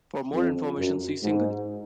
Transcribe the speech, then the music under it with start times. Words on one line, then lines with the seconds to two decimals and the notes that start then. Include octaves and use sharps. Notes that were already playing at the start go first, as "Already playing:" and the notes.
For more information, see single.
0.33 F2
0.78 F#2
1.23 G#2